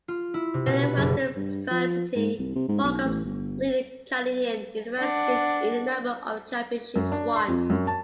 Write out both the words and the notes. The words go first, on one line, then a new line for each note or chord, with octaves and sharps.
Many Western varsity programs lead Canadian universities in the number of championships won.
F4
E4
C3
B2
B4
F#1
G2
F3
G#2
C2
C3
G#2
B1
A1
G1
D4 F#5
F#2
D4
C6
F2
F#2
A5